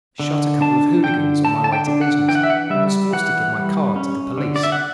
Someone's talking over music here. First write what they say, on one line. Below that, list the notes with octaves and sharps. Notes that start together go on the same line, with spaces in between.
Shot a couple of hooligans on my way to business and was forced to give my card to the police.
D3
D4 A5
D3 G5
D3 A5
A5
G5
D4
F#5
E3 G5
F#5
E5
F#5
G3 E5
E3 F#5
G3
C#4
D3
D5
E5
F#5